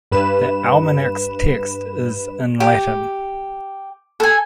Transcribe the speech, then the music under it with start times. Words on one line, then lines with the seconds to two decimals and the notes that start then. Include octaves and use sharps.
The "Almanach"'s text is in Latin.
0.12 G2 B4 E7
2.60 G4
4.20 A4 G#5